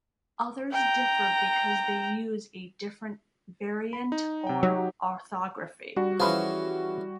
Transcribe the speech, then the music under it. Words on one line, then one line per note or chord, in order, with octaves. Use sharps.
Others differ because they use a different variant or orthography.
G5 A#5
B5
D#4
C3 G5
F#3 D#4 G4
G3 D4 F#4
E3 F3 C#4 G#4 B4